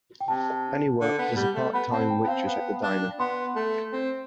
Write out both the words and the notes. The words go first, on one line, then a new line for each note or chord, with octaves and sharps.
Annie works as a part-time Waitress at the diner.
G5
C3 A5
D3
B3
G3
A3
B3 B5
C4 A5
G5
B3
C4 F5
B3
D4
B3 C6
A3
C4